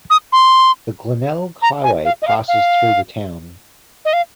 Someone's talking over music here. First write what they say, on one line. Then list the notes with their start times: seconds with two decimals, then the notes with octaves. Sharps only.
The Glenelg Highway passes through the town.
0.10 D#6
0.32 C6
1.62 A#5
1.84 G#5
2.05 F5
2.22 D#5
2.27 F5
2.48 F5
4.05 D#5
4.13 F5